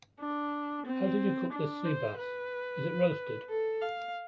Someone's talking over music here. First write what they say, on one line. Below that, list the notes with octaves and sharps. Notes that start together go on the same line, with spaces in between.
How did you cook this seabass? Is it roasted?
D4
C4
D4
C5
B4
A4
F5